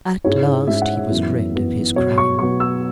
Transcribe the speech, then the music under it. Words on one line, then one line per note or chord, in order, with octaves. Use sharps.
At last he was rid of his crime.
G#2 G#3 C#4 E4 C#5
G#2 G#3 C#4 E4 E5
F#5
E5
F#2 E3 B3 E4
F#2 E3 B3 E4
B2 F#3 B3 C#5
C#6
B2 F#3 B3 C#6
E6